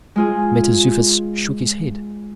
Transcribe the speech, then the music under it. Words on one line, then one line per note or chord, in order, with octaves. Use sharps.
Mentezufis shook his head.
G#3 F4 G#4